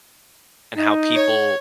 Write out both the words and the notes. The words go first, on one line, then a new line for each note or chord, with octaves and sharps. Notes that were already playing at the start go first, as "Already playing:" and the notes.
and how people
D#4
C#5